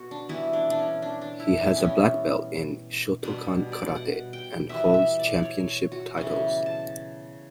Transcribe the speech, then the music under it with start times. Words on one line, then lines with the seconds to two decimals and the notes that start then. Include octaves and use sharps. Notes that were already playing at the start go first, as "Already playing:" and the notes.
He has a black belt in Shotokan karate and holds championship titles.
Already playing: B2 F#4
0.11 D4
0.29 E3 G3 B3 E4
0.53 D4
0.70 D4
0.79 C#4
1.02 D4
1.21 D4
1.40 E4
1.58 D4
1.76 E3 G3 B3 C#4
3.23 B2 G3 B3 D4
3.72 D5
3.96 F#5
4.33 G5
4.69 E3 G3 B3 E5
4.94 E5
5.19 D5
5.43 C#5
5.92 F#4
6.17 C#3 E3 G3 B3
6.66 A5